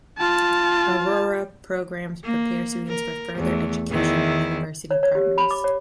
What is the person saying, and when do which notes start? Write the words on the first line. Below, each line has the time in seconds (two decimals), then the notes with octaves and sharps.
Aurora programs prepare students for further education through university partners.
0.18 F4 A5
2.24 A#3
2.88 A#4
3.38 E2 A3
3.91 E2 D#3 E4
4.91 C#5
5.03 C#5
5.15 G4
5.38 B5
5.51 D6
5.64 C#5